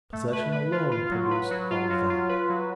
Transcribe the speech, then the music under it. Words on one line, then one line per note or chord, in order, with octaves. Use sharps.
Possession alone produced all that.
A3
B4
B4
F4
F4
F#3
B4
F#3
F4
F#3
F4
B4
F#3